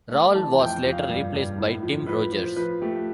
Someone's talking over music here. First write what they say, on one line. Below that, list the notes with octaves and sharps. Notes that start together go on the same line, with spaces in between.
Rawle was later replaced by Tim Rogers.
A3
E3 A5
F2 G5
F2
F5
G2
G2
A2
F3
F3 B4
F3 C5
F3 B4
A3 G4